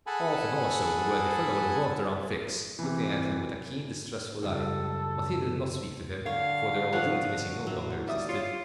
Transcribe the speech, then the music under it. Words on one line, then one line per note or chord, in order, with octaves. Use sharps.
Often, also, the worthy fellow revolved around Fix, looking at him with a keen, distrustful eye; but he did not speak to him, for their old intimacy no longer existed.
G#4 A4 F#5 G#5 A5 B5
C3 E3
C#2 F#2 G3 A4
D3 C#5 F5
F3 A3 C#5 F#5 A5
A2 E3 F#3
D#2 G3 D5 E5 D#6
F4 C#5